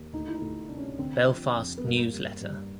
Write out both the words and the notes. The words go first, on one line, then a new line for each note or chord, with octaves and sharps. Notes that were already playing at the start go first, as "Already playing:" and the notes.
"Belfast News Letter".
Already playing: D#2
D2 D#4
E4
D#4
D2
C3 D4
C#4
D3 C4
F3
F2
B3
G2 A#3
G3
G2